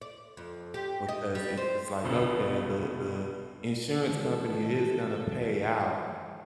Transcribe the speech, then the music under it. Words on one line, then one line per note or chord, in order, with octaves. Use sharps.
because it's just like, "Okay, the the insurance company is gonna pay out,
D5
F2
G4
D#5
G3
C5
C2 F2 B2 D3
D#3 E3 G#3 A4